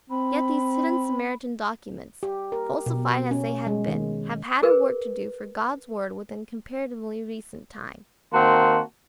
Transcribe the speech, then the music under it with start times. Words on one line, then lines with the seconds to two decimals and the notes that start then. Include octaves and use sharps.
Yet these hidden Samaritan documents, falsified as they had been, have had a work to do for God's Word within comparatively recent times.
0.10 C4 B5
2.23 G4
2.52 A#4
2.86 B2
3.31 C#4
3.67 G#3
3.87 D#3
4.63 G#4 A#4 B4
8.33 D#3 A#3 C4 F#4 A5 C6